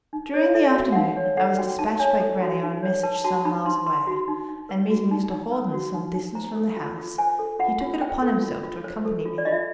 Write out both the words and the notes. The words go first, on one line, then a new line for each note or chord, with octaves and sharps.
During the afternoon I was dispatched by grannie on a message some miles away, and meeting Mr Hawden some distance from the house, he took it upon himself to accompany me.
D#4
C#5
F5
A4 E5
F#4
F#5
D#4 F5
C#5
A4 F#5
F#4 G5
D#4 A5
C#5 G#5
A4
F#4
D#4
C#5
B4 A5
F#4 A5
D#4 B5
D#4 C6
B4 C6
F#4
D#4
D#4
B4
F#4
D#4
D#4
B4
F#4
D#4
D#4
C5 A#5
A4
F4
F4
C5 G#5
A4
F4 F#5
F4
C5 G5
A4
F4
F4
C5
A4
F4
D5
F4 D#5
E5